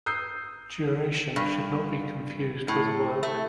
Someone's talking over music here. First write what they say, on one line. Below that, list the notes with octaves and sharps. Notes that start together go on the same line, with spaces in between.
Duration should not be confused with work.
D#6 E6 G6 C7
G2
A2
A3